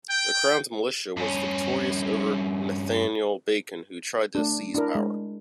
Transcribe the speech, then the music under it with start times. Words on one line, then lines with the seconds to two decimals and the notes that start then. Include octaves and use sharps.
The Crown's militia was victorious over Nathaniel Bacon who tried to seize power.
0.10 G5
1.17 G2 C#4
4.35 A3 D4
4.74 D4 E4 A#4
4.95 G#3